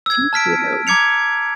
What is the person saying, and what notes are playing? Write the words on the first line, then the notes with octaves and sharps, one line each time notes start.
Thank you.
E6 G#6
A5 F6 B6 D7
A#5 D6 G#6 C#7 F7